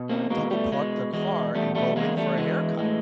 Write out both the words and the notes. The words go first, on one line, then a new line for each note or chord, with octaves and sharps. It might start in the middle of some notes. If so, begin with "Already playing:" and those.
double-park their car and go in for a haircut.
Already playing: B2
A#3 C4
B2 G#3 A#3
G3 A3
B2 G#3
E2 G#3
E2 G3 A3
G3 A3
E2 G#3 A#3
G3 A3
E3 G#3
A2 G#3